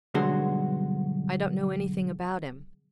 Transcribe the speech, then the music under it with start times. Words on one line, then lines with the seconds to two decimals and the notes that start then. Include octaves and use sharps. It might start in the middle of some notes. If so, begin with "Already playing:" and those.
"I don't know anything about him."
0.14 B1 G2 D3 G#3 F#4 C6